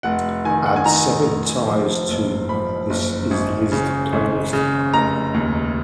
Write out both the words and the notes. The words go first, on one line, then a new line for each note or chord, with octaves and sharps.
Add severed ties to my this is liszt playlist.
F1 F#5
D#3 G#5
F#5
G#5
D#3 A#5
F1
F3
F#1
F3 B5
F#1
G#1
C#3
G#1
C#3
F1 A#5
D#2